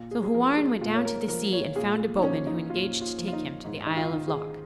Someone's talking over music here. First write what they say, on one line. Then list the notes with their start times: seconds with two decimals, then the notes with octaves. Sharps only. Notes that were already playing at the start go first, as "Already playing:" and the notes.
So Houarn went down to the sea, and found a boatman who engaged to take him to the isle of Lok.
Already playing: A#2
0.11 G#4
0.24 G#4
0.34 F3 A#4
0.57 G#4
0.81 A#2 F4
0.95 C#5
1.05 A#4
1.28 F3 A#4
1.53 C#5
1.76 A#2 G#4
2.17 D#4
2.22 F3 C#4
2.47 D#4
2.70 A#2 F4
3.01 F4
3.18 F3
3.27 F4
3.33 D#4
3.65 G#2
3.87 D#4
3.96 F4
4.12 D#3
4.28 G#4